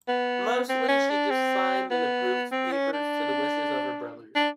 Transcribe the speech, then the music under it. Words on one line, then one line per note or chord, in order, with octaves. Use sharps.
Mostly she just signed and approved papers to the wishes of her brothers.
B3
C4
C#4
D4
C4
B3
C4
C#4
D4
D4